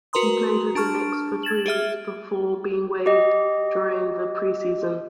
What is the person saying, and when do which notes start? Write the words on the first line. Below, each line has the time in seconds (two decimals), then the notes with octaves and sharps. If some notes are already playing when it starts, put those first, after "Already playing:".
He played with the Knicks for three weeks before being waived during the pre-season.
0.13 F#4 A#4 B4 A#5 C6 D#6
0.75 D4 A5 C#6 F6 D7
1.43 G#6 A6 E7 F#7
1.66 G4 G#4 E5 F6
3.06 G4 D#5